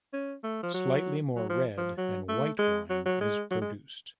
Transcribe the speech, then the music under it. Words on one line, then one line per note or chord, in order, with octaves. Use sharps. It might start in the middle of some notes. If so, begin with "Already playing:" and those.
Slightly more red than white wine is produced.
C#4
A3
F3
F#3
F#3
F3
F3
F#3
A3
G#3
F#3
F#3
G#3
F#3
G#3